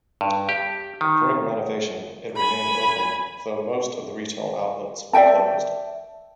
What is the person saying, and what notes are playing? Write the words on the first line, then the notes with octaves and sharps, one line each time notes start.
During the renovation, it remained open though most of the retail outlets were closed.
G2
G4
D#3
G#5 B5
D5 E5 G5 A5